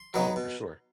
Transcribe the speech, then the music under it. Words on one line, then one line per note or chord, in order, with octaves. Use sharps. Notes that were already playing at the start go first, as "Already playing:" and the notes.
Oh, for sure.
Already playing: C6
F#3 B3 D#4
B2